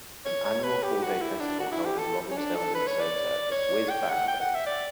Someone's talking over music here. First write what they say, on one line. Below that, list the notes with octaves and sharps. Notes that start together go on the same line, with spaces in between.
An annual four-day festival held in Robbinsdale, Minnesota is Whiz Bang Days.
C#5
C#5
B4
G4
F#4
E4
D4
F#4
E4
G4
A4
C#4
D4
A4
B4
C#5
D5
C#5
G5
F#5
G5
F#5
E5
D5